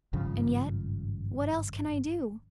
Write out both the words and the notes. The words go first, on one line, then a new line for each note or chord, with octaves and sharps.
And yet, what else can I do?
G#1 G2 C#3 F3